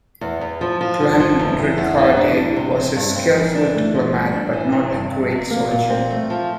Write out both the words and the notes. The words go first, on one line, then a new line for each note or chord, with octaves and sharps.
Clanricarde was a skillful diplomat but not a great soldier.
E2
E2
F3
F3
F3
F3
E2
E3
E2
E3
D4
D4
C3
C3
G2
C4
E3
D4
A3
F3
G3
D4
E3
C3
G2
G2
C3
A#3
A#2
C4
A3
F3